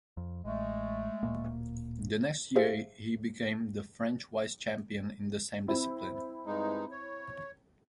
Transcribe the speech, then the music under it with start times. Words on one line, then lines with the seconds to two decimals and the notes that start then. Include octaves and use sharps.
The next year, he became the French vice champion in the same discipline.
0.17 F2
0.45 A1 G#3 A3
1.23 D1 A#2 A#3
2.56 G4 G#4 C5 E5 F5
5.68 C4 E4
6.46 G2 G#3 D#4
6.91 C#5